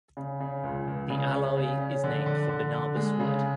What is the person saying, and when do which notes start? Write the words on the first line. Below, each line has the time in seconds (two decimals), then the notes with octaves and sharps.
The alloy is named for Barnabas Wood.
0.17 C#3
0.40 C#3
0.63 C#2
0.87 C#2
1.10 C#3
1.34 C#4
1.57 C#3
1.80 C#4
2.04 D3
2.26 D3
2.49 D3
2.73 D3
2.96 G#3
3.20 C#3